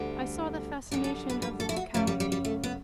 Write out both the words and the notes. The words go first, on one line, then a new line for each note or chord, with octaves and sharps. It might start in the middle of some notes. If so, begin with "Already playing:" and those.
I saw the fascination of the locality.
Already playing: D2 D3 G3
F#2 D3 G3 G4
A4
B4
B4
A4
E4
F#4
F#2 C#3 G3 A3
G3
G3
G3
A3
B3